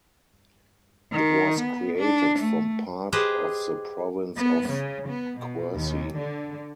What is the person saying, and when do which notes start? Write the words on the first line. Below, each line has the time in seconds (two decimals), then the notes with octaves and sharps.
It was created from part of the province of Quercy.
1.12 D#3
1.59 B3
1.98 D4
2.38 A3
3.12 G4 G#4 B4 C5 D#5
4.37 B3
4.69 C#3
5.08 B3
5.40 B2
5.75 D#2
6.17 D3